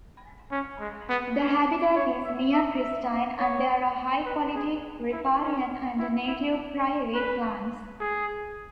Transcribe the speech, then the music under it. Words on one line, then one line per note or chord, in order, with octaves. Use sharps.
The habitat is near-pristine and there are high-quality riparian and native prairie plants.
C#4
G#3
B3
C#4
C#5
E5
E5
E5
C#5
B4
G#4
E4
C#4
E4
E4
B4
G#4